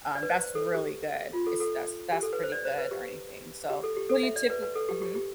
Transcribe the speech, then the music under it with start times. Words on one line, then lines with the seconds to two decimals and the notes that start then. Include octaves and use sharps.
um, that's really good. It's that's that's pretty good or anything. So, who do you typi Mhm.
0.15 D5
0.23 B4
0.29 C5
0.55 A4
0.75 G4
1.33 F4
1.47 A4
1.60 A4
2.13 G4
2.23 A4
2.33 B4
2.43 C5
2.52 D5
2.65 C5
2.78 B4
2.91 G4
3.70 G4
3.83 A4
3.97 G4
4.09 A4
4.23 E5
4.36 D5
4.50 B4
4.62 B4
4.75 A4
4.89 G4
5.02 G4
5.15 G4